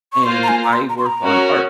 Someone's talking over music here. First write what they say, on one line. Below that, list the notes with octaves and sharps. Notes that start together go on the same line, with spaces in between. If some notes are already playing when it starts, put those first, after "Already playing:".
And I work on art.
C#6
A#3 F4 C5 C6
A#5
G#5
A#5
C6
A#5
C6
A#5
C#4 F#4 A#4